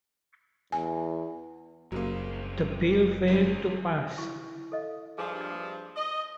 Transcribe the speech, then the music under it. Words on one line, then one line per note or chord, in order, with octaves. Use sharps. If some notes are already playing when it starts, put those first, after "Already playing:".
The bill failed to pass.
E2 G#5
F#1 C2 C#3 F#3 A#3 C5
G#1 G#3 C#4
E4 C#6
A4 D#5 F5
G2 F3 G#4 G#5
D#5